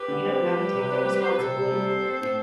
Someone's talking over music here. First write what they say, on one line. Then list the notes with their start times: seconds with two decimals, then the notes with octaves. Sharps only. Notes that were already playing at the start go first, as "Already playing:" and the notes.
You know how to take them responsibly?
Already playing: G4 B4
0.08 D3
0.24 C4
0.40 F3
0.57 G3
0.74 C3
0.89 C4
1.05 G3
1.22 C4 C5
1.30 B4
1.36 C3 A4 C5
1.55 C3
1.72 G3
1.87 C4
2.04 C4
2.21 A2